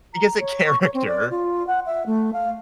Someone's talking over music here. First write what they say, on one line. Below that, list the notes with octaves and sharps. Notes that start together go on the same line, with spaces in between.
because of character.
A#5
C#5
C#6
C#5
C4
D5
F4
F#5
E5
A3
F5